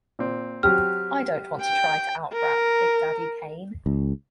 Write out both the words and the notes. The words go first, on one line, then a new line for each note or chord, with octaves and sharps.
I don't want to try to out-rap Big Daddy Kane.
A#2 C4
F#3 C4 G4 F6
G5
A#4
C#2